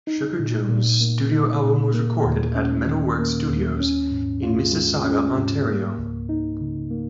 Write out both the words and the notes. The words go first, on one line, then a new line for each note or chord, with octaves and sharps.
Sugar Jones studio album was recorded at Metalworks Studios in Mississauga, Ontario.
D#4
A#2
A#2
A#3
D#4
A#2
A#3
D#2
C#4
D#3
A#3
D#2
C#4
G#2
F4
G#3
C#4
G#2
A#3
C#2
D#4
C#3
A#3